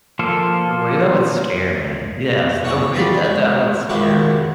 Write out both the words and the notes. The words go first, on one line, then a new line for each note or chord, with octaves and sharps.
The way that would scare me, yes, the way that that would scare me.
F3 A#3 F4 A4
E2 C#4 D4 F#5 C#6
E2 G3 F4 D5
G#3
A#2 D#3 G#3 E4 F#4 G4